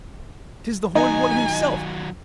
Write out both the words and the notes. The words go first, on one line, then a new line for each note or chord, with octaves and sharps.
'Tis the Horned One himself!
D#3 F#3 D#4 D#5 G#5